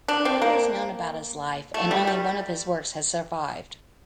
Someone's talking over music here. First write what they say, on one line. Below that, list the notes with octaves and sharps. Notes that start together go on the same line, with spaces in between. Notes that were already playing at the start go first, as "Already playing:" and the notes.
Little is known about his life and only one of his works has survived.
D4
C4
A#3
A3
G3
G3